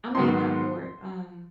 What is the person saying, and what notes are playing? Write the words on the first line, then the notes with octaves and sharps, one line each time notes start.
I mean, not Ward, um
G#2 D#3 F#3 B3 D#4 C6